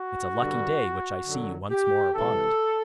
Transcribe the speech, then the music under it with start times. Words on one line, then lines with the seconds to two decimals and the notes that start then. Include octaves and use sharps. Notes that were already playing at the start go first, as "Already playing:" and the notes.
"It's a lucky day which I see you once more upon it."
Already playing: F#4
0.37 G2 D3 G3
1.26 F#2 D3 F#3
1.71 G4
2.15 C3 E3 G#3 A4